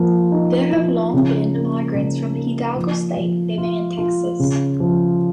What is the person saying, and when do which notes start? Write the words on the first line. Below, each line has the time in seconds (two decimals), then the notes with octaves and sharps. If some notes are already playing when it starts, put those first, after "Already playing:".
There have long been migrants from Hidalgo state living in Texas.
Already playing: F3 A#3
0.32 D#4
0.73 F3
1.14 C#3
1.54 A#3
1.94 C#3
2.35 A#3
2.76 F3
3.17 F3
3.58 F4
3.98 F4
4.40 C#3
4.80 F3